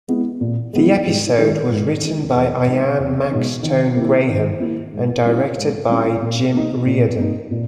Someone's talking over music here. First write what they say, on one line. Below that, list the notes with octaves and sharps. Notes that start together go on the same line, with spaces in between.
The episode was written by Ian Maxtone-Graham and directed by Jim Reardon.
G#3 B3 E4
A#2
G#3 B3 E4
G#2
D#3 G#3 D#4
G#2
D#3 G#3 D#4
E2
B2 G#3 D#4
E2
B2 G#3 D#4
D#3
A#3 E4
D#3
A#3 E4
G#2
G3 C#4 E4
G#2
G3 C#4 E4
A#2
A#3 D#4
A#2
A#3 D#4
A#2